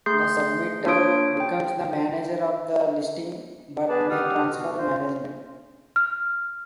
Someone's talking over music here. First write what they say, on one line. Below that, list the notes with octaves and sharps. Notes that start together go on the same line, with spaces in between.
The submitter becomes the manager of the listing but may transfer management.
A3 G#4 C6 G6 C7
A#3 D4 F4 C#5 D#6 D7
G5
B3 D4 G#4 B4 D5 A5
G4 F#5 D#6 F6
B2 F#4
F4 C5
F6